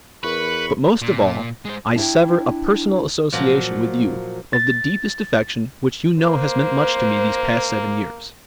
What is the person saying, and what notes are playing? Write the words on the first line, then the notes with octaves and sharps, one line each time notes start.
But most of all I sever a personal association with you of the deepest affection which you know has meant much to me these past seven years.
E2 A#4 B4 B5 C#6
A#2
G#3 C5
D4 E4 G5
A#2 F3 F#3
A6
A#3 C5